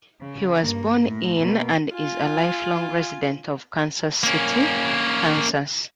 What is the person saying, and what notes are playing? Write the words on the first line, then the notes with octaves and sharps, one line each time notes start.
He was born in, and is a lifelong resident of, Kansas City, Kansas.
C#3
G2 A#3
A2
B2 A#3
F4 G#5
A#3 C#4